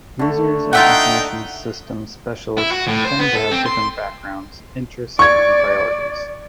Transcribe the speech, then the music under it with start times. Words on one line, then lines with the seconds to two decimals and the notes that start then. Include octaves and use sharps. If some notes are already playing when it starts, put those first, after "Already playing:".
Users and information systems specialists tend to have different backgrounds, interests, and priorities.
0.19 D3 A3
0.73 D#4 F4 E5 F#5 G5
2.58 E4
2.72 F#4
2.88 A2
3.05 C5
3.19 B3
3.35 A4
3.51 C4
3.66 C6
5.19 D5 C#6 G#6